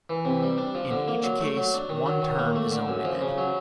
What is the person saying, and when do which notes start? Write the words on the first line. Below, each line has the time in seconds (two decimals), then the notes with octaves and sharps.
In each case, one term is omitted.
0.09 E3
0.25 C3
0.43 G3
0.58 D4
0.75 F3
0.91 D3
1.08 A#3
1.24 F#3
1.40 A3
1.57 F#3
1.74 D4
1.89 D#3
2.06 F#3
2.22 D#3
2.39 A#3
2.55 A3
2.72 D3
2.88 F#2
3.05 F3
3.21 C#3
3.38 F#3